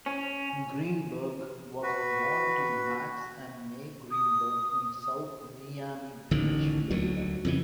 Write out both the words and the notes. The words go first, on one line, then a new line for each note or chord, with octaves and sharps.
Greenberg was born to Max and Mae Greenberg in South Miami Beach, Florida.
C#4
F#4 B4
D#6
A1 D3 D#3
D2 F#3
F2 C#3 E3